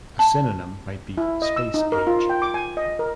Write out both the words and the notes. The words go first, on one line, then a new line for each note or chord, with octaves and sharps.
A synonym might be space-age.
A5
E4
D#5
E6
D#4
A#4
F4
G5
D6
G#5
D#5
A#4